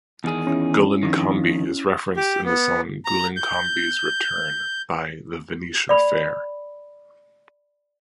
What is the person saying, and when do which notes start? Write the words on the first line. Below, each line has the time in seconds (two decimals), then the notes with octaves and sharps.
Gullinkambi is referenced in the song "Gullinkambi's Return" by The Venetia Fair.
0.24 E2 D#3 G#4
0.47 C#4 E4
1.03 F2 D#3
2.16 G4
2.45 B3
3.05 A#5
3.36 G6
5.89 D5 B5